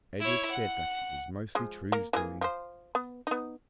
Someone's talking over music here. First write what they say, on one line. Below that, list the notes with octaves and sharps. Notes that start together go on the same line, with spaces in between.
Edred said that it was mostly True's doing.
E4 C#5
F#5
F3 G#3
A#3 A#4
E3 A#3 G#4
F3 C5
B3
B3 D#4